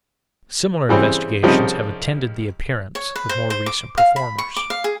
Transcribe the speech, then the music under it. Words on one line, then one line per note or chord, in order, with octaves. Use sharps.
Similar investigations have attended the appearance of more recent performers.
C#3 E3 G3 C4
C2 C#3 F3 G3 D#4
C#5
B4
C5
C5
D6
F5
B5
C#6
D6
F5
G#4